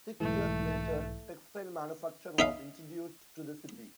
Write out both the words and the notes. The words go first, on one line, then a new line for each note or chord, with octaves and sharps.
Six years later, textile manufacture was introduced to the city.
B1 G#2 E3 A3
D#4 E5 F5